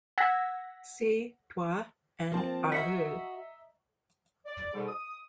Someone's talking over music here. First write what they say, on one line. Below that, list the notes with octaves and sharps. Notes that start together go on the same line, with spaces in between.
See Duat and Aaru.
F#5 E6 G#6 A#6 B6
F3 A#3 C4 C5 A5
F#4 D#5 E5 A#5 B6 C#7
D5
G#2 B2 D3 G3
D#6